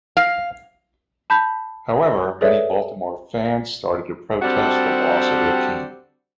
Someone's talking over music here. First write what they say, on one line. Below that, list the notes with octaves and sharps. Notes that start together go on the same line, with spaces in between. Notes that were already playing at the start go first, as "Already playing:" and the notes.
However, many Baltimore fans started to protest the loss of their team.
F5
A5 B5 G6 B6
G#4 A4 B4 C#5 D5 E5
G3 C4 D4 F#4 G4 A4